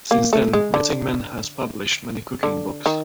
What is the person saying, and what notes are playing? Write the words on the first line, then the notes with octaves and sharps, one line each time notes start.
Since then, Witzigmann has published many cooking books.
A#3
A3
G#3
D3
D3
D#3